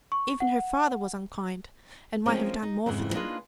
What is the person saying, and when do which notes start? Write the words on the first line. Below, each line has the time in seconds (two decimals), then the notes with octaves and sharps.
Even her father was unkind, and might have done more for them.
0.12 C#6
0.40 F#5
2.26 F3 G#3 A#3 C4 C#4
2.63 D#4
2.86 F2 G#2 C#3 E3
3.14 A#3 D4 D#4 F4 G#4 B4